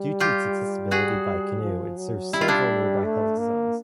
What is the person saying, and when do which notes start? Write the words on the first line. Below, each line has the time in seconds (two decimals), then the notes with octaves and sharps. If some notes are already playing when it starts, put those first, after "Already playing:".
Due to its accessibility by canoe it served several nearby health zones.
Already playing: G3
0.20 F4 G4
0.91 F#4 G#4
1.62 F3
1.98 F#3
2.33 G3 E4
2.41 F4
2.48 D4 E4
3.04 A3
3.39 A#3